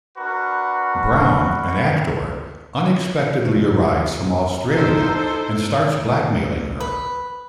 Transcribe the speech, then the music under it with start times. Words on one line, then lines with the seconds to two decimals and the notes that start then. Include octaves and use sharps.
Brown, an actor, unexpectedly arrives from Australia and starts blackmailing her.
0.18 D4 F#4 A#4 B4
3.43 C2 F2 E3 F3
4.68 D#4 E4 A4 C5
6.80 B4